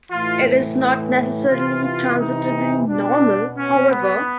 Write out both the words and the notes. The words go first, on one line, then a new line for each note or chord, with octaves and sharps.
It is not necessarily transitively normal, however.
A2 E3 F4
C3 E3 F4
F4
D#4
B2 D4
C#4
B3